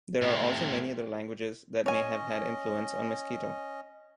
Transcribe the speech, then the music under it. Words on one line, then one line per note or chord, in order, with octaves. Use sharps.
There are also many other languages that may have had influence on Miskito.
A2 C3
C#4 C#5 D#5 G#5